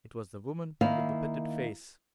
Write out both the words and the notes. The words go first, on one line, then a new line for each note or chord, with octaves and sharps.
It was the woman with the pitted face.
D#3 A#3 E4 E5 F5